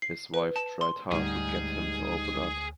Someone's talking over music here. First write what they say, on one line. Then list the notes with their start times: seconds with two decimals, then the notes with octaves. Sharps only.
His wife tried hard to get him to open up.
0.02 C7
0.34 B4
0.56 A5
0.81 C6
1.11 D2 G#2 G3 D#4 G#4